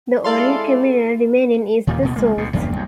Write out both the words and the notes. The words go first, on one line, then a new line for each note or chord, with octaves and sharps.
The only terminal remaining is the source.
G#3 E4 A4 D5 F5 C6
D#2 A#2 D#3 G3
D2 B2 D3
C#2 G#3 A#3
D2 B2
F#1 E2 G2 A#3
C2 F#2